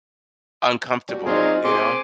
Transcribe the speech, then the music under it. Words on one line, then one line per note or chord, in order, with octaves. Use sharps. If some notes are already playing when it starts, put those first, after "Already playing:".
uncomfortable, you know?
G3 F#4
F#3 C4 C#4 D#4 F4 G#4 D5 D#5
C4 G#4 G#5 C6 D6